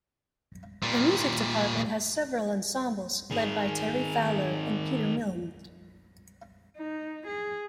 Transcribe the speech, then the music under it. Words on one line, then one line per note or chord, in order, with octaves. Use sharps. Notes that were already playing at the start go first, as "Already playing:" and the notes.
The music department has several ensembles led by Teri Fowler, and Peter Milne.
A#2 G3
D#3 G#4
D#4
G#4